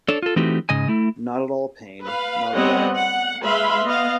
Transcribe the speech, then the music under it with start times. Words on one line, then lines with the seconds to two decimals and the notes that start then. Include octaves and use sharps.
Not at all, Payne, not at all.
0.09 D4 A4 C#5
0.22 F4 A4
0.36 E3 A3 C4 D#4 F#4 G4
0.69 G#2 C#3 D#5 G#5
0.88 A3 E4
2.02 B4 F5
2.55 G3 B3 C4 C#5 D#5 F#5
2.96 F#5
3.44 G#3 B4 E5 F5 B5 C6
3.84 B3 D#5 F5